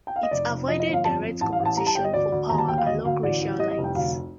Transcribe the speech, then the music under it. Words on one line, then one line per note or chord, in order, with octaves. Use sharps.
It avoided direct competition for power along racial lines.
G5
F5
D#5
F1 D5
F1
F3 D#5
D#5
G1
F5
F2 A5
F2
A1 A5
F5
A1
A5
G3 A#5
A5
G1 G5
D#5
D2 D5
D2
D#2 A#5
A5
D#2 G5
F5
D2 D#5
D2 F5
A1 D5
A1
G3 D#5
D#5
F1
G5
D2 F5